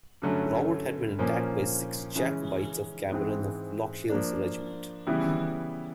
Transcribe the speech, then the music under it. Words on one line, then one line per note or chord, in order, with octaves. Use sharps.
Robert had been attacked by six Jacobites of Cameron of Lochiel's regiment.
G2 D3 F#3 A3 C#4
A#2 F3 A#3 C#4
C#3 E3 G#3 C#4
G#2 E3 G#3 C4
F3 A#3 D4
C#3 E3 G3 B3 E4